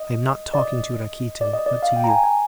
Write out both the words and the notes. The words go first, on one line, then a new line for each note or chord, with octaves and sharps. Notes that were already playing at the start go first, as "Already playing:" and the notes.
I am not talking to Rakitin, but to you.
Already playing: D#5
D5
D#5
D5
D#5
D5
F5
G5
A#5
G#5
G#5